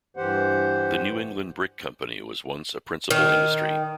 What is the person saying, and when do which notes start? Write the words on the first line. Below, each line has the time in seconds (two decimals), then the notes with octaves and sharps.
The New England Brick Company was once a principal industry.
0.17 G2 E3 G4 C5 F#5
3.11 D#3